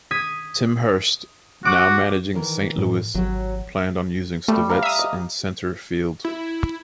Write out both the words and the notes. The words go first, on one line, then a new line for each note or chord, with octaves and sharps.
Tim Hurst, now managing Saint Louis, planned on using Stivetts in center field.
D#6 G#6 B6
F#4 D6 F#6
D#3 E3 A#4
A2
G#1 F#3 G4 C#5
G3 A3
F5 A#5
E5 D#6
D#5
E4